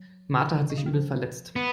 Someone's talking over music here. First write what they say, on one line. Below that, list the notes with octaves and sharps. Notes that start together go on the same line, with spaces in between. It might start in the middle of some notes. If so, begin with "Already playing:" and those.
Martha hat sich übel verletzt.
Already playing: F#3
B2
C#3
D#3
F3
B3